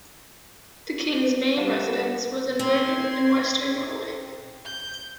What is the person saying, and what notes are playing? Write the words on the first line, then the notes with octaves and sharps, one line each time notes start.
The king's main residence was in Bergen in Western Norway.
G3 B3 F5 F#5 A5
C4 C6 G#6
G6